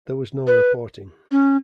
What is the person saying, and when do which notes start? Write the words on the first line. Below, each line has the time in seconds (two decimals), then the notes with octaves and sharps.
There was no reporting.
0.47 B4
1.31 C#4